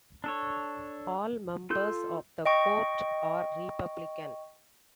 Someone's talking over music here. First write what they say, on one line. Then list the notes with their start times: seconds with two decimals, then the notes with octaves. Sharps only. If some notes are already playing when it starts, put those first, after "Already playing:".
All members of the court are Republican.
0.24 D4 A4 C#5
1.70 F4 A4 G6
2.45 D#5 G5 C#6